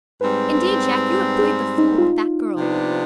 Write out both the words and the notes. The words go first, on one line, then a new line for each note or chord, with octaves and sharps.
Indeed, Jack, you have played the fool with that girl.
G#2 G3 C4 B4
G#4
D#4
F4
C3 F3 B3 D4